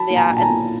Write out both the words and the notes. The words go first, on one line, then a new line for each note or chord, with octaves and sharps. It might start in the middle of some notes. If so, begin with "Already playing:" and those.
Yeah, and
Already playing: F#3 A5 B5
A#3
G#5 A#5
A#1
A5
G#5 A#5
A#2